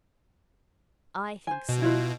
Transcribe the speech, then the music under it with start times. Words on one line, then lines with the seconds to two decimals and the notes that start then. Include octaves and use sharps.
"I think so."
1.47 C5 G#5
1.69 B2
1.82 E4 F4 B4